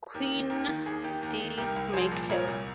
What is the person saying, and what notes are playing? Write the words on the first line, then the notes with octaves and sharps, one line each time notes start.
Quinn, D. Michael.
D#2 G4 A#4
D#3
D#2 G4 A#4
D#3
D#2 G#4
D#3 G4
D#2 G4
D#3
C2 G4 A#4
C2
F3 G#4 C5
A#2
C2 A#4 C#5
C2